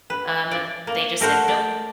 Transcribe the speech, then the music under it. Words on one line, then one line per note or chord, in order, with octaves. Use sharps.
Um, and they just said, nope.
B4
D5
A#3
A3 A#4 C5 F#5
D5